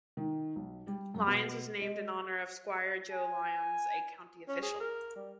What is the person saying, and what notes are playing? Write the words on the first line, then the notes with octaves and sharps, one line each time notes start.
Lyons was named in honor of Squire Joe Lyons, a county official.
D#3
B1
G3
F#2
B2
G#3
G#5
C#4
G#4
A#4
G3